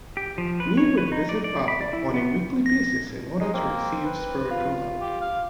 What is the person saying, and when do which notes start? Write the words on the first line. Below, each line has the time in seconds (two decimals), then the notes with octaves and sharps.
Nee would visit Barber on a weekly basis in order to receive spiritual help.
0.17 G4
0.38 F3
0.60 B4
0.77 C#5
0.97 B4
1.12 D#4
1.29 D5
1.44 D5
1.68 B5
1.81 D5
1.93 E4
2.14 B3
2.66 A#6
3.40 G#3 D#4
3.54 A#3 C4
4.05 B4
4.51 F4
5.01 G4
5.21 F5